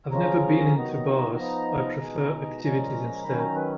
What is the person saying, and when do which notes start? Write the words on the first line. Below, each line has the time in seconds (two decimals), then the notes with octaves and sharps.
I've never been into bars I prefer activities instead.
0.11 F3 G#3 C#4 A#5
0.75 D#3 F#3 B3 D#4
1.36 F3 B3 D#4 A#5
1.99 B2 G#3 D#4
2.62 A#2 F3 G#3 C#4
3.23 D#3 F#3 C#4 B5
3.39 A#5
3.56 B4